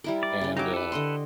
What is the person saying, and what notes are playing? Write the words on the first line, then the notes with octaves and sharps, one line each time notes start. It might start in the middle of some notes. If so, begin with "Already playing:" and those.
And, uh
G3 E4 A#4
D5
C#3 C#4
F#3 D#4 G4 D6
A4 B4
D3 D#5 C6